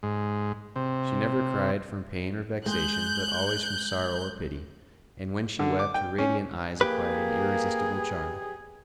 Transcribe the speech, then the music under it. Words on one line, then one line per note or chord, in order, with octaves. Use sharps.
She never cried from pain or vexation, but always from sorrow or pity, and when she wept her radiant eyes acquired an irresistible charm.
G#2
C3
G#3 F#6 G6
D3
D6
G5
C#4
A#3 G4 G#4 B4